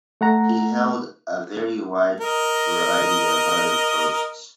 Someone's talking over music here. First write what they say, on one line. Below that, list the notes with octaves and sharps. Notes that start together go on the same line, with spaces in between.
He held a very wide variety of other posts.
A3 F#5 A#5
A#4 D#5